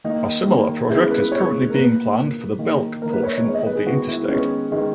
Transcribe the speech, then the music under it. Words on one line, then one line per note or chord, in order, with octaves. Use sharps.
A similar project is currently being planned for the Belk portion of the interstate.
D#3 A#3 D#4
D#3 A#3
C#3 G#3 B3 E4
B4
C#3 G#3 B3 C#5
A#4
A#2 A#3 B4
A#2 A#3
D#3 A#3
D#3 A#3 A#4
B4
C#5
C#5
D#3 G#3 B3 C#5
D#5
B4
G#4
D#3 G#3 B3 F#4
E4
D#3 G#3 B3 C#4
D#3 G#3 B3